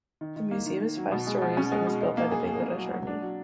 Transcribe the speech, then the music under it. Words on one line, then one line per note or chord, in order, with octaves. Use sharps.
The museum is five storeys and was built by the Bangladesh Army.
D#3
D#3
A#3
D#3
D#3
F#3
B2
G#3
B2
C#4
G#3
B2
D#4
A#3
G#4
G#4
A#3
F#3
F#3
D4
F#3